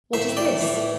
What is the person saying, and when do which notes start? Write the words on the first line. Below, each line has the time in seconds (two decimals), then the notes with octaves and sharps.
"What is this?"
0.13 A2 C5 E5
0.29 C4
0.37 D5 G5
0.45 A2
0.61 E3
0.76 A2